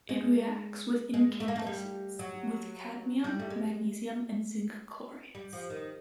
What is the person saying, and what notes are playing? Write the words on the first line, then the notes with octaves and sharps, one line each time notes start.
It reacts with incandescence with cadmium, magnesium and zinc chlorates.
G#3
G#3
A3
A#3
A3
G3
F#3
G3
A3
G#3
G3
F3
D#3